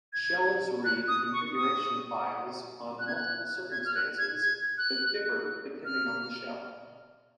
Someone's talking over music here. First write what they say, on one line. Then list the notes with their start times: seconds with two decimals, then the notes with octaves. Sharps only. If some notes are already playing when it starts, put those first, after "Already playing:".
Shells read configuration files on multiple circumstances that differ depending on the shell.
0.13 G#6
0.85 F#6
1.08 D#6
1.33 C#6
1.57 D#6
2.99 F#6
3.07 G#6
3.16 F#6
3.71 G#6
3.85 F6
3.95 F#6
4.18 G#6
4.42 G#6
4.78 F#6
5.85 F6